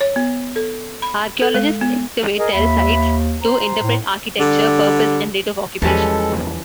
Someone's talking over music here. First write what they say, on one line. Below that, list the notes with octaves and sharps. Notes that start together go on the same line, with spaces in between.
Archaeologists excavate tell sites to interpret architecture, purpose, and date of occupation.
C#5
B3
A4
B5
A4
G#3
B3
G#4 A#4 D#5
D#2 E5 B5
C5 A#5
A2
D3 G3
E2 E3 F3 G3 G#3 C#4 A4